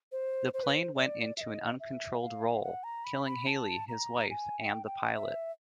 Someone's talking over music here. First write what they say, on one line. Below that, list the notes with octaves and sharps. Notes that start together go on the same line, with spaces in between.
The plane went into an uncontrolled roll, killing Halley, his wife, and the pilot.
C5
C5
B4
C5
D5
E5
D#5
E5
F5
F#5
A#5
B5
B5
A5
A#5
G#5
G#5
G5
G5
E5